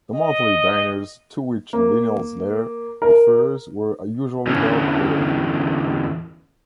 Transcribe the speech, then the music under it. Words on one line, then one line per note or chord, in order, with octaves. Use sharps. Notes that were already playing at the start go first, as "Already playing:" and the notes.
The monthly dinners to which Linnell's letter refers were usually held there.
D#5
A#3
A#4
E2 D3 E3 C#4